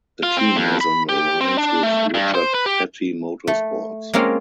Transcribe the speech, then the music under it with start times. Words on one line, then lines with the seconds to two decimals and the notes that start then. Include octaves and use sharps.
The team has an alliance with Richard Petty Motorsports.
0.23 F4
0.37 C4
0.56 F2
0.81 B5
1.09 G4
1.41 C4
1.58 D4
1.83 A3
2.14 G2
2.35 C5
2.54 B4
2.66 G4
3.47 A3
4.13 G#3 A#3 C4 C#4 F4 A#4